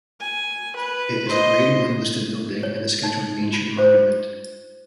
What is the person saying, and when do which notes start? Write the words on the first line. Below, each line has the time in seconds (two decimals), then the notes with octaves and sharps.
It is a Grade One listed building and a Scheduled Ancient Monument.
0.20 G#5
0.76 B4
1.29 C5 D#5
2.63 C#5
3.03 D#4
3.53 F4
3.78 C5